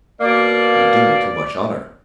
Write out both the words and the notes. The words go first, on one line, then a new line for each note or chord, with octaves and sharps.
"You do me too much honour."
B2 A#3 D5